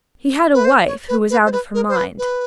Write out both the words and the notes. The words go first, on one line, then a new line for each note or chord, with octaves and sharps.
He had a wife who was out of her mind.
B4
C5
C#5
B4
B4
C5
B4
A#4
C5
B4
B4